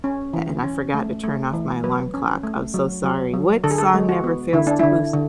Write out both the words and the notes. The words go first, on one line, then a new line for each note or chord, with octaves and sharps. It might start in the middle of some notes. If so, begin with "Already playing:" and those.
An an I forgot to turn off my alarm clock, I'm so sorry. What song never fails to boost
C#4
E3
C#4
A3
A3
E3
F#3 B4
C#4
A3
F#3
F#3
F#3
D3 A4
G#4
A4
G#3
F#4
B3
D3 E4
D4
D3 E4
D3